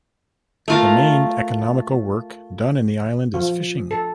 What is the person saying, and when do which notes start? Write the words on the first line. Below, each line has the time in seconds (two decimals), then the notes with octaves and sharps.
The main economical work done in the island is fishing.
0.68 A3 F4 A#4
3.34 F3
3.91 A4